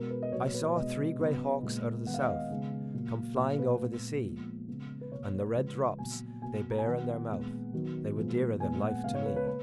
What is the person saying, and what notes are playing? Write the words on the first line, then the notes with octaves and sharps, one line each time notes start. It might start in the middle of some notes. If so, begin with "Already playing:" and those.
I saw three grey hawks out of the South Come flying over the sea, And the red drops they bare in their mouth They were dearer than life to me.
Already playing: B2 G#3 B3 A#4
B4
D#5
A#2 F#3 B3 C#5
B4
B2 G#3 B3 D#5
C#3 F#3 B3
A#2 G#3 B3
D#3 G#3 B3 F#5
F5
D#5
F5
C#3 G#3 B3
A#2 F#3 A#3
A#2 F#3 B3 F5
B4
A#2 G#3 B3
A#2 F3 G#3 B3
C#3 G#3 B3
B4
B2 A#3 C#5
C#3 F3 G#3 B4
A#2 F#3 B3 G#5
B2 A#3 G#5
A#5
G#5
D#3 F#3 B3 F#5
A#2 G#3 B3
D#3 F#3 B3
A#2 F3 G#3 B3
A#2 G#3 B3 G#5
F#5
C#3 G#3 B3 F5
C#5
B4
B4
A#3 B4